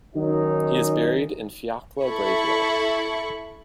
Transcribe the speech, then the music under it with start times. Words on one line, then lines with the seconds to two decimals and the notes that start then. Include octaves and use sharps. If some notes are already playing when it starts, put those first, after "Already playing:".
He is buried in Fiacla graveyard.
0.15 D#3 F#3 C#4 D#4
2.02 E4 A4 B5 C#6